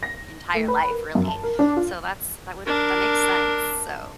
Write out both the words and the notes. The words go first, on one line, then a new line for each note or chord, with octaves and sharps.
entire life, really, so that's that would that makes sense. So,
A#6
A3
B4
A#4
F#2
A5
A#4
D4
F4
D4 A#4